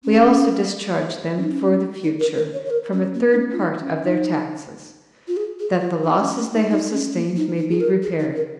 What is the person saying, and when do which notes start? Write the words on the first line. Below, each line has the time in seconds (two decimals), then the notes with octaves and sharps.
We also discharge them for the future from a third part of their taxes, that the losses they have sustained may be repaired.
0.04 C#4
1.37 C#4
1.44 D#4
1.51 C#4
2.03 D#4
2.20 A#4
2.37 A#4
2.53 C#5
2.65 C#5
2.70 A#4
2.93 C#4
3.14 A#3
3.33 D#4
3.36 C#4
3.53 F4
3.59 D#4
3.81 C#4
4.03 D#4
5.28 F4
5.37 G#4
5.59 G#4
5.80 F4
6.03 D#4
6.20 C#4
6.36 A#3
6.54 D#4
6.70 D#4
6.92 C#4
7.14 A#3
7.36 D#4
7.58 D#4
7.70 G#4
7.81 A#4
8.02 G#4
8.19 D#4
8.36 A#4